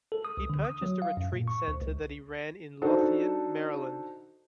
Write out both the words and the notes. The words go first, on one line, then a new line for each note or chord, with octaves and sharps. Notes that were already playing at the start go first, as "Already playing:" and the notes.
He purchased a retreat center that he ran in Lothian, Maryland.
A4
D#6
C#2
D3
D#6
F#3
F5
F#2
A#2
C#6
D2
C#2
D4 D#4 F#4 A4 C5